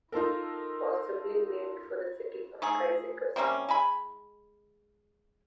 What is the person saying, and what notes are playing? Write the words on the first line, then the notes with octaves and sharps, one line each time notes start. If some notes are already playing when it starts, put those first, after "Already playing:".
Possibly named for the city of Cyzicus.
D#4 F4 A4 A#4
A3 D#4 G#4
C3 G3 A#3 C#4
G#3 G#5 B5